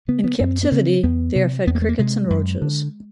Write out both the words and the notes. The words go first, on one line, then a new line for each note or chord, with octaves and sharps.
In captivity they are fed crickets and roaches.
C#3 B3
B3
F#2 C4
B3
C#3 C4
E2 B3
C3
E2 B3
A#3
A3
A#3
C3 G#3
F#2
D3